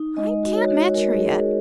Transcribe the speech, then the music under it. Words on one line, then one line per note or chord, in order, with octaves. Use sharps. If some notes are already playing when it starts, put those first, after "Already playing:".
I can't match her yet.
Already playing: D#4
G#3 D#5
F#4
C#5
F#4
C#5
G#3 A#4
G#4
G#3
G#4